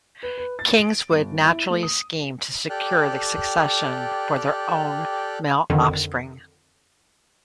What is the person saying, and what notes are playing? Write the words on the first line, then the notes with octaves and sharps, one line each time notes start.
Kings would naturally scheme to secure the succession for their own male offspring.
B4
B4
A6
D7
G1
E4
A3
D#6
G4 A4 D5 G5 F6 F#6
F2 D3 D#3